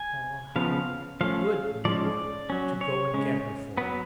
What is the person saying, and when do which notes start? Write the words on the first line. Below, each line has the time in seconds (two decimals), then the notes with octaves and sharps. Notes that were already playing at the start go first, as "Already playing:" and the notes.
Oh! how good you were to go and get her for me!
Already playing: G#5
0.56 C#3 F3 B3 F5
1.21 F3 A3 C#4 F5
1.85 F3 G#3 C#4 D5
2.50 F#3 C#4
2.81 C#5
3.14 C#3 G#3 C#4
3.77 F#3 B3 B4